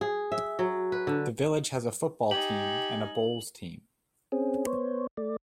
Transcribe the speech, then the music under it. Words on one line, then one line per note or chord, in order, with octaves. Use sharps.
The village has a football team and a bowls team.
G#4
E5
F#3
B4
D3
D#4 G4 G#5 F#7
C4 C#4 G#4
B3 C5 C#5
A3 D5